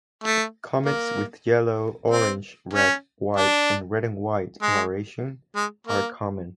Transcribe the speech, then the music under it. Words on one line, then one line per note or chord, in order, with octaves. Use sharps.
Comets with yellow, orange, red, white, and red-and-white coloration are common.
A3
A#3
C4
C#4
D4
G#3
G#3
A#3